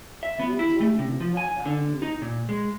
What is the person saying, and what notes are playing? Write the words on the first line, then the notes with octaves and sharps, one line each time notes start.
K. J. Englund and J.
E5
B3
E4
A3
C3
F3
G#5
D3
D#4
A#2
G#3